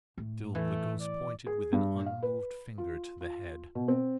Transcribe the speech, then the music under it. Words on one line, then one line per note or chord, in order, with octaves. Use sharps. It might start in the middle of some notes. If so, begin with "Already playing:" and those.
Still the Ghost pointed with an unmoved finger to the head.
A2
E3 A3
D5
G#4
G2
F5
B4
F4
F4
B2
C4